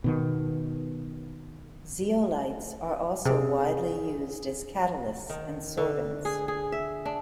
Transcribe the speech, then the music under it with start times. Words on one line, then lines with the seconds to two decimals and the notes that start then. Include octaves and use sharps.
Zeolites are also widely used as catalysts and sorbents.
0.04 B2 D#3 B3
3.26 C3 G#4
5.30 D#3
5.77 D3
6.25 G#4
6.48 G#4
6.72 E5
7.05 D4